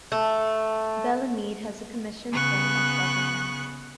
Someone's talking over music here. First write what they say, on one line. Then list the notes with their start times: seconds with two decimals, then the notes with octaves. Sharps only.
Bellemeade has a commission form of government.
0.12 A3
2.31 C#3 B3 C#6 F#6